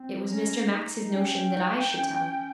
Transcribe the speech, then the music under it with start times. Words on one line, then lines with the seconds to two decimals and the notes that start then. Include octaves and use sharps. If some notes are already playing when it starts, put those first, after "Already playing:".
'It was Mr. Max's notion that I should tell you.'
Already playing: C4
0.31 C#4 A#5
0.72 D#4
1.13 C#4 G5
1.53 D#4
1.95 C#4